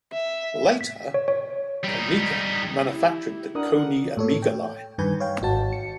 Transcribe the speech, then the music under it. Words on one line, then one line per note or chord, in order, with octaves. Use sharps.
Later, Konica manufactured the Koni Omega line.
E5
B6
C#5
C#5
G3 D#4
E4 G4
D4 A#4 F#5 D#6
A2 A4 C#5
G5
G2 D#3 B4 G#5 G6
C#5 F5 G5
G#1 F#4 A5
C#7